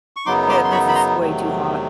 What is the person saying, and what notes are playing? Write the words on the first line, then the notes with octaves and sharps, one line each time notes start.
eh, this is way too hot."
C#6
F#2 C#3 F#3 B3 D#4 C6 D6
C6 D6
C6
B5 C#6
B5
A#5 C6
E2 C3 D#3 F#3 A3